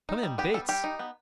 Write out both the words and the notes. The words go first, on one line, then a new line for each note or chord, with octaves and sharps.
Come in, Bates.
D#4
G3
B3 G4
G3 A4
G3 G4
D#4
B3